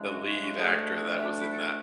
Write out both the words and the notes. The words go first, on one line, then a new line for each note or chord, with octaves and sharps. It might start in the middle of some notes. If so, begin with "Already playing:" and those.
The lead actor that was in that,
Already playing: C#3 E3 G#3 D4
F#4
C#5
F#4
D2 D3 A3 D4 G#4
E5
D5
B4
A4
G#4